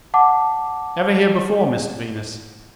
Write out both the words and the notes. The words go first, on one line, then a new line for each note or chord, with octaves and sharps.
Ever here before, Mr Venus?'
F#5 A5 D6